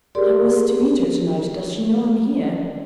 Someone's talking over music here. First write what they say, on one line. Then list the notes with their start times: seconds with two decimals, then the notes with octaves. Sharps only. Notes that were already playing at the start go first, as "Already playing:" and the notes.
"I was to meet her to-night; does she know I'm here?"
0.15 G4 G#4 A#4 D5 C6